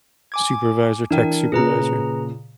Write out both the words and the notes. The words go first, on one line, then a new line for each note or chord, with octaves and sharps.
Supervisor tech supervisor.
G#5 D6 G#6
E3 D4 A#4 G5
A#2 C#3 G#4 B4 A#5